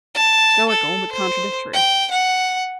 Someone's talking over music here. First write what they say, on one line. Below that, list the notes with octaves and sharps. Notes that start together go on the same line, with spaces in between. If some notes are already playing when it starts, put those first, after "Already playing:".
Stoical, but contradictory.
A5
A4
C5
G5
F#5